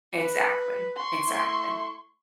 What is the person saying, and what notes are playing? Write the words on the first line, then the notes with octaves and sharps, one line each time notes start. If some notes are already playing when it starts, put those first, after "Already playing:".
Exactly, exactly.
B4
C6 C#6
A3 E4